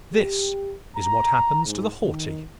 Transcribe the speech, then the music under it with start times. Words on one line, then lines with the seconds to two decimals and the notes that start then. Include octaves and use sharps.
This is what happens to the haughty.
0.13 G4
0.96 A#5
1.65 G#2
2.02 D#3